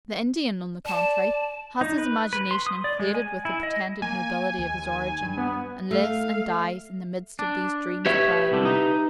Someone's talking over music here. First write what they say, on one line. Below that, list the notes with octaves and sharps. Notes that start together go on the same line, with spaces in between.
The Indian, on the contrary, has his imagination inflated with the pretended nobility of his origin, and lives and dies in the midst of these dreams of pride.
D5 A5
D#4
B4
B4
C6
D#6
D5
G#3
G#5
E4
D#5
A#3 G#5
D#2
G2
B3
A3 A4 F5
D4
G4 B4 C#5 E5
C2 D3
D#4